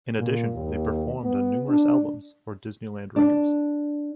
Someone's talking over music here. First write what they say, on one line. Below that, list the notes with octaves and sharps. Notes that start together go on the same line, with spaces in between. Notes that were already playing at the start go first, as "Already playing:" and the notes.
In addition, they performed on numerous albums for Disneyland Records.
A#2
D#2
B3
D4
D4